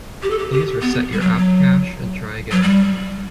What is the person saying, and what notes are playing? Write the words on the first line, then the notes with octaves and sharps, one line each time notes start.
Please reset your app cache and try again.
G4
A4
G4
G4
B3
G3
F#3
F#3
F#3
G3